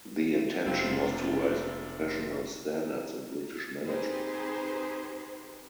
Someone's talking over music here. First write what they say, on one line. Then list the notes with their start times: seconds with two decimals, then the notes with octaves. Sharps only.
The intention was to raise professional standards in British management.
0.66 F1 B3 C4 D4 F4
3.87 C4 D#4 G4 G#4 B4 C5